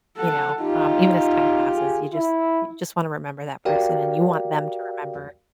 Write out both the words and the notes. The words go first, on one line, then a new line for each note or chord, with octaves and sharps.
you know, um, even as time passes, you just you just want to remember that person and you want them to remember
A4 F#5
D#4 F4 G4
G#4
E4
F#4 G4 A#4 D5 F5 G5